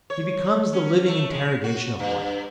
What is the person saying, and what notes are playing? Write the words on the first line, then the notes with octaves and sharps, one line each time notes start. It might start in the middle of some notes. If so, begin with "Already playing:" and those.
He becomes the living interrogation of life.
C#5
C#4
A3
G#3
F#4
G2